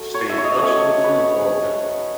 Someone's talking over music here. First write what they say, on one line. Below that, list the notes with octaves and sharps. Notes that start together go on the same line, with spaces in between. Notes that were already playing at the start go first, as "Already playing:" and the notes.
stay in touch, to a degree? Oh, okay.
Already playing: F#3 A3
C#5
E5
C#5
D#5
F#3 A3 C#4 C#5
B4